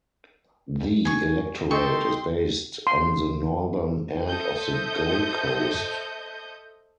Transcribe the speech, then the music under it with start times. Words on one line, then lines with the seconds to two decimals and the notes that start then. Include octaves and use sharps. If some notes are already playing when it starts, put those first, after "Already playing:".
The electorate is based on the northern end of the Gold Coast.
1.05 G#5 C#6
1.71 A4 D#5 G5 C6 C#6
2.87 C6
4.27 A4 C5 D#5 E5 D#6 G6